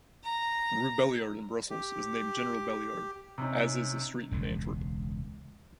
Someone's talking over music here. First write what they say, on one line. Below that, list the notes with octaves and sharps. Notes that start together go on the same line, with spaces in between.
Rue Belliard in Brussels is named General Belliard, as is a street in Antwerp.
A#5
G4
C3 C#4 D#4
E1 C#2